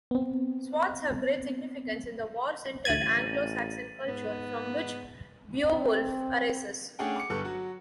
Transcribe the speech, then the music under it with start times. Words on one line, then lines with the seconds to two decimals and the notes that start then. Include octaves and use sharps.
Swords have great significance in the war-centred Anglo-Saxon culture from which "Beowulf" arises.
0.11 B3 C4
2.85 A1 D2 G#6 A6 D#7 F#7
4.07 G#2 B3
5.62 C4
6.99 A3 C#4 D4 G#4 F#5 G5
7.16 D6 C#7
7.30 G1 G3 B3 A4 C#6 F#6
7.45 F#3 F#4